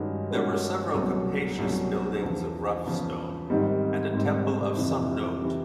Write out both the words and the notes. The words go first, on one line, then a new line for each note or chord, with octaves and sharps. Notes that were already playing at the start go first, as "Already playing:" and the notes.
There were several capacious buildings of rough stone...and a temple of some note.
Already playing: G2 D#3 G#3 C#4 F#4
G2 D#3 G#3 C#4 F#4
C2 B2 F#3 A3 C#4
C2 B2 F#3 A3 C#4
E2 C#3 F3
E2 C#3 F3
G#1 G#2 D#3 G3 C4
G#1 G#2 D#3 G3 C4
F2 C3 E3
C3 E3